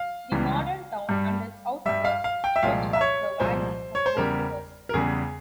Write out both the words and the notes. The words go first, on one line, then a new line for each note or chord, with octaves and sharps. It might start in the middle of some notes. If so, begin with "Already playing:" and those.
The modern town and its outskirts stretch up the valleys of both rivers.
Already playing: F5
C#2 C#3 E3 G3
G2 G3
G2 G3 E5
F5
F5
G5
E5
C2 A#2 F3 G#3 F5
E5
C#5
C2 A#2 F3 G#3 C5
C#5
C5
E2 C#3 G3 A#4
A#4
E2 C#3 G3 G#4